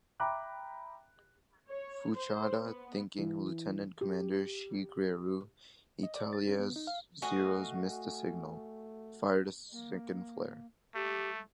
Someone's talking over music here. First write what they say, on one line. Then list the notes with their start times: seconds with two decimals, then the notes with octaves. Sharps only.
Fuchida thinking Lieutenant Commander Shigeru Itaya's Zero's, missed the signal, fired a second flare.
0.20 E5 G5 A#5 B5 D6 F#6
1.69 C#5
2.14 C5
2.63 B3
3.18 E3
4.01 G4
6.03 D#5
6.16 D5
6.33 A6
6.48 C#4
6.60 B3
6.76 D#4
6.87 F5
7.22 A3 F#4 D#5 F5 G#5
9.72 A#3
10.95 A3 G4